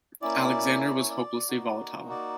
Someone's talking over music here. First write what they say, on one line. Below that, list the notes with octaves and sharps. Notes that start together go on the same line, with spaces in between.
Alexander was hopelessly volatile.
A#3 C#4 E4 D5
D5
C#5
D5
A#3 D#4 F#4
D5